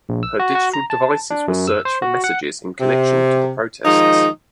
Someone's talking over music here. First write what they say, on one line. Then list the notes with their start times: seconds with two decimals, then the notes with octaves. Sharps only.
Her digital devices were searched for messages in connection to the protests.
0.09 A#1
0.23 E6
0.39 F#4
0.55 F#4
0.74 A#5
0.90 A5
1.30 D4
1.48 F#2
1.67 E6
1.85 C5
2.02 F#4
2.24 F#5
2.81 C3
3.85 D#3 F3 G#3 D#4